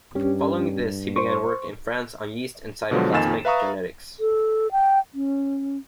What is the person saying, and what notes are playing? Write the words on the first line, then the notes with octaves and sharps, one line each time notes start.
Following this he began work in France on yeast and cytoplasmic genetics.
G2 C#4 G4
C5 C6 C#6
B2 D3 F3 F#3 G#3
F2 D#3 A#3 G#5 A6 E7
B4 E5 F5 A#5 C#6 D#6
A4
G5
C#4